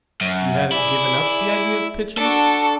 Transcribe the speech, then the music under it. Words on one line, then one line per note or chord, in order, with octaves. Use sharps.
"You haven't given up the idea of pitching?"
F#2
E4 G#4 D5
D4 F#4 A4